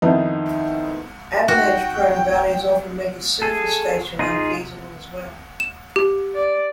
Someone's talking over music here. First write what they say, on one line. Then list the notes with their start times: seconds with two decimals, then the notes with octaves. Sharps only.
Avalanche-prone valleys often make a surface station unfeasible as well.
0.02 F2 D#3 B3 D#4 E4
1.48 F#4 G5
3.42 G#4 A4
4.19 D#4 F4 G#4
5.60 E7
5.96 G4
6.35 D5